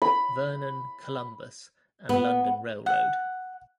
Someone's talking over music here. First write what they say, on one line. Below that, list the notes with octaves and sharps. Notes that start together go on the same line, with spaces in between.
Vernon, Columbus and London Railroad.
B5
B3
F#5